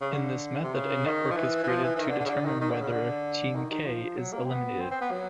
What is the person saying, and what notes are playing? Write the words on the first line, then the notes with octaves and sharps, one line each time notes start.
In this method a network is created to determine whether team "k" is eliminated.
C#3
D3
C3
C#3
D#3
F3
E3
E3
F3
E3
E3
D#3
D3
D3
C#3
D3
D#3
D#3
D3
C#3
D3
D#3
D#3
F3
F#3
A#3
C4
B3
C4
C4
B3
F#3